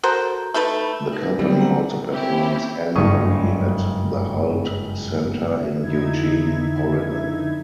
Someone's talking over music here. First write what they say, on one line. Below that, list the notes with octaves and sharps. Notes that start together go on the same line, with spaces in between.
The company also performs annually at the Hult Center in Eugene, Oregon.
F#4 A4 A#4 C5
A3 D#4 A4 B4
D#4 A#4 B4
D3 F#3 G3 B3 C4
F#5 A#5
C4 C#4 E4 G4
F#1 C#2 G2 C#3 C#6 D#6
F2 D3 D#4 E4 E5 G#6